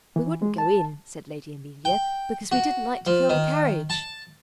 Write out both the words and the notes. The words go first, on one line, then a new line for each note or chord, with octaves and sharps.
"We wouldn't go in," said Lady Amelia, "because we didn't like to fill the carriage."
E3
G#3
A5
G5
F#4
F3
D#3
A5